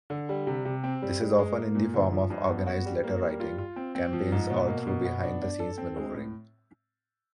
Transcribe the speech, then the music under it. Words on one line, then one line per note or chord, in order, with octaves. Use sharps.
This is often in the form of organized letter-writing campaigns or through behind-the-scenes manoeuvring.
D3
G3
C3
C3
C4
G3
G#3
G#3
A#3
A#2
D3
F3
G2
B3
F#4
G3
A#3
G3
F4
F4
C4
C4
F3
G#2
B2
A#3
B2
B3
D4
D4
A4
C4
G#3
A2